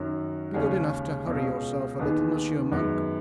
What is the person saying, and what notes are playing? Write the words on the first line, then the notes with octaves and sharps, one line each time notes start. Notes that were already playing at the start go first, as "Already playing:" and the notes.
"Be good enough to hurry yourself a little, monsieur monk."
Already playing: F#2 D#3 F#3 C#4
D#2 C#3 G#3 C#4 G#4
C#2 B2 G#3 C#4
D#2 D#3 B3 D#4 G#4
F#2 D#3 G#3 B3